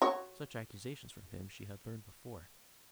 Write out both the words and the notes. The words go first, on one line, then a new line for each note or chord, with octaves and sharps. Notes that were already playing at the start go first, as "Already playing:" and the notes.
Such accusations from him she had heard before.
F#4 C#5